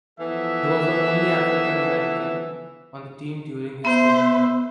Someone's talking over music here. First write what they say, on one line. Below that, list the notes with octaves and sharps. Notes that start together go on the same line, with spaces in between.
He was the only African American on the team during his tenure.
E3 F3 B3 A4 E5
B3 C5 E5